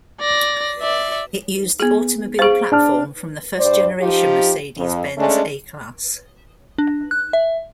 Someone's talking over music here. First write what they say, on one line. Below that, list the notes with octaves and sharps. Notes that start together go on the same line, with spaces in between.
It used the automobile platform from the first generation Mercedes-Benz A-Class.
D5 A#6
D5 E5
B3 G#4
G#4 C5 F5 C#6 D7
D4 A5 F6
G2 C5 D5
F3 D#4 G4
F2
G#3 A3 C#4 D4
D4
F#6
E5